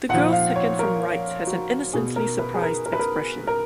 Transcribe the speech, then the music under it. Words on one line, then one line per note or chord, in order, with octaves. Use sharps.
The girl second from right has an innocently surprised expression.
A#2 F3 F#5
F5
C#5
A#4
F#4
B2 G#4
A#4
B4
G#4
A#4
A#4
B4
A#4
A#4